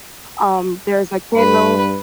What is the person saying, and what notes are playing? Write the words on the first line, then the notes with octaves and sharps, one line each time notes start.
um, there's a kennel
G2 B4